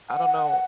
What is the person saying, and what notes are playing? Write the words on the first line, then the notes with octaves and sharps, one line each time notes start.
I don't know
F#5
F#5
F#5